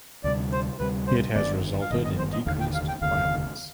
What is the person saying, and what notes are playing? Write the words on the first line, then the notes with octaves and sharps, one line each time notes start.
It has resulted in decreased violence.
D2 C3 G3 D5
C5
D2 C3 G3 B4
C5
G1 G2 D#3 B3 D5
F5
G1 G2 D#3 B3 D#5
D#5
C5
D#5
F1 D#2 D3 F5
G5
F5
G5
F1 D#2 D3 F5